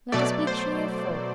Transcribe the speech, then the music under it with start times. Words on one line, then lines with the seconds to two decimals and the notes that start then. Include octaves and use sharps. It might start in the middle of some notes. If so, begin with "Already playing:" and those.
Let us be cheerful.
0.12 B2 F#3 A3 D5
0.47 C5